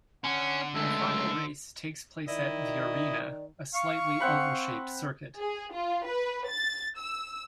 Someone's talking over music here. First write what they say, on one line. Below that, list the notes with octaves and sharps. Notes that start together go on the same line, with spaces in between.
The final race takes place at "The Arena", a slightly oval-shaped circuit.
D3 C#4 F#5
C#2 A3 E6
D#3 E4 D5 D#5
F5 C#6
C4 F#5 B5
G#4
F4
B4
A6
E6